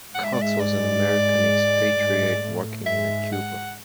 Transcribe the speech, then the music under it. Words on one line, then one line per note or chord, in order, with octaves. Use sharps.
Cox was an American expatriate working in Cuba.
G#2 G#3 F#5
E5
D5
E5
D5
G#2 G#3
A2 A3
G#2 G#3 E5
F#5